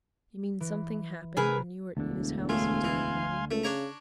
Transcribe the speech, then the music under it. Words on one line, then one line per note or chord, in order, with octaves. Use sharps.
"You mean something happened when you were at Nita's house yesterday morning?"
E3
C3 G#4 A#4 B4 D#7
E1 D2 D3
A2 A3 F5 G#5 C6
E3
C#2 A3
C#3 D4 C#5 A#5